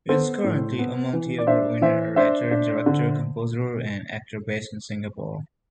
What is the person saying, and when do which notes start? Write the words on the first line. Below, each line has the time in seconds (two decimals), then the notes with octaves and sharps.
He is currently a multi-award-winning writer, director, composer and actor based in Singapore.
0.09 B3 A4 C5
0.44 A2
0.79 B3
1.13 E3
1.38 D5
1.47 D4 C5 E5
1.82 E3 C5 E5
2.16 D4 C5 E5
2.51 D4
2.86 D3